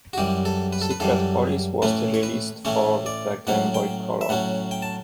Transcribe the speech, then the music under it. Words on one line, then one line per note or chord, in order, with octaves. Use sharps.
Secret Police was released for the Game Boy Color.
F#4
F#2 E3 G3 G4
A4
B4
A4
B4
F#2 E3 G3 A4
A2 E3 A3 C#4 B4
C#5
B4
A2 E3 A3 C#4 C#5
D5
A2 F#3 C#4 F#5
G5
E5
A2 F#3 C#4 F#5
G5
A5